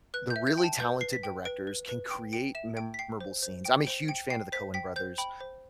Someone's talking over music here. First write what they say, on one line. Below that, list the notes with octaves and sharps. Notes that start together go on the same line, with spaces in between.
the really talented directors, can create memorable scenes. I'm a huge fan of the Coen brothers,
B4 F#6
G6
E5
G6
G5
A5
B4 G6
B4 C7
B6
G5
B4 D7
B4
B4
G5 D7
G5 D7
E5 E7
G5 D7
B6
G5 C7
C5
C5
G5 D7
C5 D7
G5 D7
G5 C7
C5 B6
G5 B6
C5 G6
G5 B5
C5